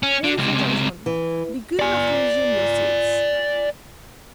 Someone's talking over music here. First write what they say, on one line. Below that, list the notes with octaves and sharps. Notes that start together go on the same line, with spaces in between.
Ladies and gentlemen, be good enough to resume your seats.
C#4
D3
C#2 C3
E3
D5 G#5